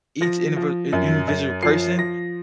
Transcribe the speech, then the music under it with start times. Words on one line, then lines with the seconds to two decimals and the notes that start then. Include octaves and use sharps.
each indivd in individual person,
0.21 F3 A#6
0.56 F3
0.93 F#2
1.28 F#2
1.63 F3 C7
1.98 F3 A#6